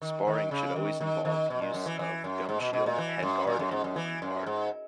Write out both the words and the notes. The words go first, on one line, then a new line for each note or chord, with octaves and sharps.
Sparring should always involve use of a gumshield, head-guard and groin-guard.
D#3
D#3
C#3
D#3
D#3
D#3
B2
A#2
F#2
E3
E3
F#2
G#2
B2
B2
A#2
E3
F#2
A#2
F#2
G#2
F#2
E3
F#2
G#2